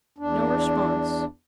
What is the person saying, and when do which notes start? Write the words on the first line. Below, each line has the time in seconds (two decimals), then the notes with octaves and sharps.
No response.
0.18 E2 D4